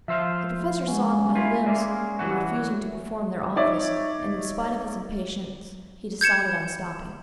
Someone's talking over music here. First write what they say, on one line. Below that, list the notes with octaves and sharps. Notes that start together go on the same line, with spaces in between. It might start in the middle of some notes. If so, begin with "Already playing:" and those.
The Professor saw that my limbs were refusing to perform their office, and in spite of his impatience he decided on stopping.
F3 C5 E5 F5 E6
G#3 B3 C#4
E4 F4
G#3 A#3 D5 E5
E3 F#3 F#4
D#4 C#5 D5 E5
G6 G#6 C#7 E7